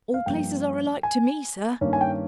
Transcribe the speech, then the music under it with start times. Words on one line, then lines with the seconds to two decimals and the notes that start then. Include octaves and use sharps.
All places are alike to me, sir.
0.14 F5
0.26 G2 F3 A#3 G5
1.03 G#5
1.81 G2 D#3 A#3 C#4
1.93 G#5
2.01 G5